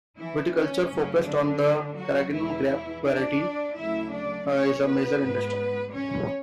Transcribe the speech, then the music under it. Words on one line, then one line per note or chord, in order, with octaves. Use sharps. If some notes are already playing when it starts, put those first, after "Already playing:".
Viticulture, focussed on the Carignan grape variety, is a major industry.
E3 E4
C#4
F#2 C#3 F#3 A3
D3 D4
F#3 F#4
E2 B2 E3 G#3 E4
D4 D5
D2 C#3 F#3 A3 E4 E5
D4 D5
C#4 C#5
B3 B4
G#2 G#3
C#4 C#5